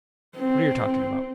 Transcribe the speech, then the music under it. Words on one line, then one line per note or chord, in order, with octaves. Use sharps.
What are yer talking about?
C4